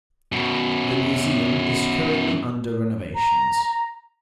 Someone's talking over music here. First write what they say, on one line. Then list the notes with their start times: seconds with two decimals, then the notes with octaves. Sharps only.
The museum is currently under renovations.
0.32 F#2 B2
3.15 A#5